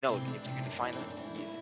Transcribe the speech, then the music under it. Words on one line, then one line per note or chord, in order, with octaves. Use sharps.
No, if you can define that Yeah.
C3 E3 C4
E2 D4
C3 E3
F#2
E3
C4
F#2 D4
D4
E3 E4
G2 E4